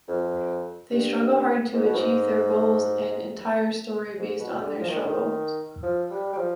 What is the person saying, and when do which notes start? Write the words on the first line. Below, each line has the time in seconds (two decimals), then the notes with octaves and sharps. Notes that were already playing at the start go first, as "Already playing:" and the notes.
They struggle hard to achieve their goals and entire story based on their struggle.
0.08 F2
0.90 G2
1.73 G#2
1.84 B2
1.96 G#2
4.19 G#2
4.40 B2
4.60 D3
4.81 F3
4.89 D#3
4.97 D3
5.05 D#3
5.83 F3
6.11 G3
6.33 G3
6.38 F3